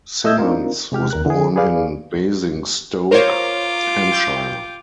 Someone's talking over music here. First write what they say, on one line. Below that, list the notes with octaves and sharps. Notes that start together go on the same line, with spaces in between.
Symons was born in Basingstoke, Hampshire.
A3 D#5 E5 E6 G6 G#6
C4 D4 D#4 F4 A#4
C3 G#3 G4 F6
D#2 A#4 F#6
D3 G#4
G#4 B4 D5 F5
F4 A#4 C5 C#5 D6
G5 G6